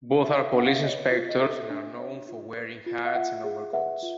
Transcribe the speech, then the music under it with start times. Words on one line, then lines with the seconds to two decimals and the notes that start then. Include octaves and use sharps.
Both are police inspectors, and are known for wearing hats and overcoats.
0.23 A4 E5
0.34 F5
0.43 E5
0.53 D4
0.59 F#5
0.66 F5
0.74 E5
0.82 C#5 D#5
1.11 F4
1.29 D#5
1.41 A4 E5
1.70 D4
1.99 C#5
2.28 F4
2.57 B4
2.86 F4
3.05 F5
3.15 F4 E5 F#5
3.44 G#4
3.73 B4 E5 F#5
4.03 F4